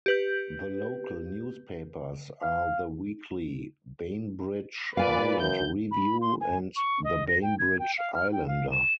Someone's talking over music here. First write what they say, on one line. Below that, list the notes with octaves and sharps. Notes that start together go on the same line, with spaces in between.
The local newspapers are the weekly "Bainbridge Island Review" and the "Bainbridge Islander".
G4 B4 G6
F5
A#2 B4 D5 F5 G#5
F#2 G6
B5
C6
G#5
C#6
D#5
A#6
G5
G#6
G5
F5
F6
G5
F5
E7